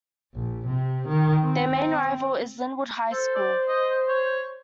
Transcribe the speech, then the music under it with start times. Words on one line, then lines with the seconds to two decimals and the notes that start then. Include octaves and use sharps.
Their main rival is Lynwood High School.
0.34 A#1
0.67 C3
1.08 D#3
1.44 C4
3.12 A4 C5
3.36 D5
3.68 D#5
4.08 C#5